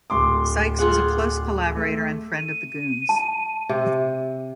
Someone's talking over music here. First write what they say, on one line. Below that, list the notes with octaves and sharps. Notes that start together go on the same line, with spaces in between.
Sykes was a close collaborator and friend of the Goons.
D1 C6 D6
F4 G#4 F#5
A3
D#7
A5
C3